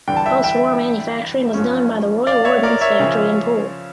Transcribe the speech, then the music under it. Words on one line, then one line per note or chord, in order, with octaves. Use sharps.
Post war manufacturing was done by the Royal Ordnance Factory in Poole.
E2 D3 G3 D4 G5
A5
E5 G5
E5 G5
G2 F3 C#4
D5 F5
C#5 E5
A#4 D5
C#5 E5
C#3 F3 C#4